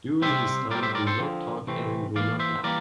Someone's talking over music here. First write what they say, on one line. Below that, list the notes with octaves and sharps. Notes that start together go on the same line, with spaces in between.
During this time do not talk and do not laugh.
C3 E3 G3 C4 C5 E5
A2 G3 C4 A#4 D5
C5 E5
A#4 D5
A4 C5
D3 F3 C4
C3 E3 A3 C4
E3 A#3 D5 F5
C5 E5
E3 G3 A#3 A#4 D5